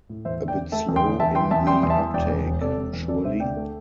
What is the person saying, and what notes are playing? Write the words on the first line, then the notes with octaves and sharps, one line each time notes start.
A bit slow in the uptake, surely?
A2
E2 C5 E5
D3
D5 G5
E2
A3 E5 A5
E2
G5 C6
D3
E2 E5 A5
E3 G5 C6
E2 E5 A5
G3 G5 C6
E2 C6
E5 A5
E3
E1 D5 G5
E2
E1
C3 A4 D5
E1
E2
D2 A4 D5
C3 C5 E5
D2 D5 G5
A3